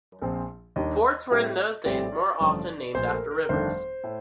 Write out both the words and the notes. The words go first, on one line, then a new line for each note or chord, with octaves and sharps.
Forts were in those days more often named after rivers.
A#1 A#2 F3 C4
D#2 D#3 G3 D4 D#5
A2 G3 C4
A#1 A2 G3 C4 D5
A1 G2 D3 F3
A#1 A#2 A3 C5
A4
A#4
A#4
A#4
G1 F2 D#3 A3 D4 C5
A2 A3